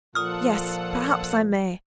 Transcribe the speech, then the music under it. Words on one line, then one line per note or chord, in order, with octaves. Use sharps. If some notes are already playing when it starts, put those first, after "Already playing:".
'Yes, perhaps I may.
A#2 F3 F4 A4 F#5 D#6 F6